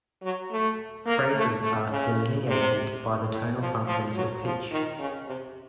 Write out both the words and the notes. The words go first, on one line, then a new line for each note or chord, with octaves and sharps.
Phrases are delineated by the tonal functions of pitch.
F#3
A3
A#3
A3
A3
C#3
C3
A2
F3
F3
F#3
F3
D#3
C#3
C3